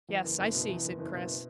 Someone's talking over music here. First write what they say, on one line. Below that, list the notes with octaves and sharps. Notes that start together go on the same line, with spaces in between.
"Yes, I see," said Chris.
E2
F#1
F#1
B2
E2
F#1
F#1
B2